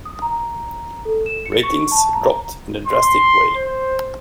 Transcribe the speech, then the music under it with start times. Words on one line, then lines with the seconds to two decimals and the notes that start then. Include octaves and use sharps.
Ratings dropped in a drastic way.
0.05 D#6
0.22 A#5
1.05 A4
1.26 E7
1.46 C#7
1.63 C#6
1.92 A5
2.14 A#5
2.87 C6
3.56 C5